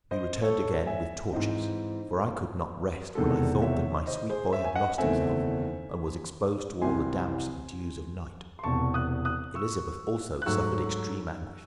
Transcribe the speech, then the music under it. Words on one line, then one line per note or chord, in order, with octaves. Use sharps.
We returned again, with torches; for I could not rest, when I thought that my sweet boy had lost himself, and was exposed to all the damps and dews of night; Elizabeth also suffered extreme anguish.
C5 D#5
A4 C#5
E5 G#5
G#2 E3 C4 C5 D#5
E1 E2 C3 D#3 G#3 A4
C#5 E5
C5 D#5
G#4 C5
C#5 E5
G#5
D#5 F#5
F#1 E2 D#3 A3 C4 E5 G#5
C2 C3 E3 G#5 C6
C6
E1 E2 C3 A5 C#6
D#6 F#6
D#6 F#6
C#6 E6
F#6
G#2 F#3 A3 C#6 E6